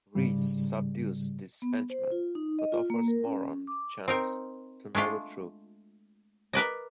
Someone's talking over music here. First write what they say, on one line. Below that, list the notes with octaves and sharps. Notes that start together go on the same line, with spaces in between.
Reese subdues his henchmen but offers Moran the chance to know the truth.
G#2 C#3 G3
B3
C5
F4
D#4
D#5
F4
A#3
A#4
C#4
D6
C4 D#4 A#4
G#3 A3 D4 F4
A#4 B4 D5 D#5